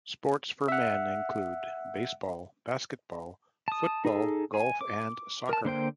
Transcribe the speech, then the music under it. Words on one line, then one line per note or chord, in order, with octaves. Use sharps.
Sports for men include baseball, basketball, football, golf and soccer.
E5 F#5
A5 D#6
D#4 G#4 A4
G#5
D6
A#4 A5
D3 A#3 C5 G5